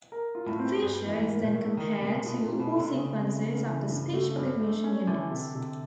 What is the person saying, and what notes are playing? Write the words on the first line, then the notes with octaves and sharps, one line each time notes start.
The feature is then compared to all sequences of the speech recognition units.
A#4
F4
A2
C4
G2 G3
E3
G#2
A#3
A#2
A2 A#3
D#3 A#3
C3 A#3
C#3
C3
B2 F4
A#2
C4
B2
A3
C3
C#3 A3
C4
A3
E3
G2
A3
G2
A3
C#4
D3 E3
C3
C3